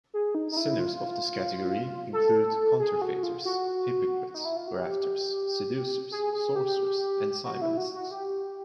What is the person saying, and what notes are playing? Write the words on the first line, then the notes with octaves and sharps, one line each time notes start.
Sinners of this category include counterfeiters, hypocrites, grafters, seducers, sorcerers and simonists.
G#4
D#4
D#4
E4
F4
A4
G#4
F#4
F4
F#4
D#4
E4
F4
F#4
G4
G#4
G#4
G4
F#4
E4
F#4
F#4
G4